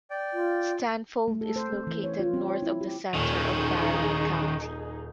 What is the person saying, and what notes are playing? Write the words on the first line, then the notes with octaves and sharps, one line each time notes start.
Stanfold is located north of the center of Barron County.
D5 G5
F4
A3
A4
C5
C4
E3
C#5
F4
C4
C#5
E4
G4
D#1 D#3 C#4 D#4 G#4